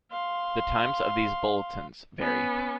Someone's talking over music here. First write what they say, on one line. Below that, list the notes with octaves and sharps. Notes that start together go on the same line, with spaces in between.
The times of these bulletins vary.
F5 C6
B3 C#4